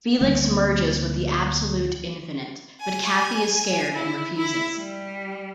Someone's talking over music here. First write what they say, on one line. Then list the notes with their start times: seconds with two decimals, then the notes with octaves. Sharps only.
Felix merges with the Absolute Infinite, but Kathy is scared and refuses.
0.21 D2 G3 A#3 C4
2.81 G#5
3.94 E4
4.35 E4
4.76 G3